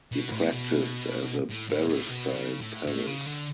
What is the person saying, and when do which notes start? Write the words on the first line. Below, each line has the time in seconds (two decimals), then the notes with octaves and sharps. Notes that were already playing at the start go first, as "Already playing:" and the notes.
He practised as a barrister in Paris.
0.12 B2
0.31 A2
0.51 B2
1.50 A2
1.69 A2
1.89 A2
2.09 B2
2.34 C#3
2.61 A2
2.87 A2
3.07 C#3
3.26 D3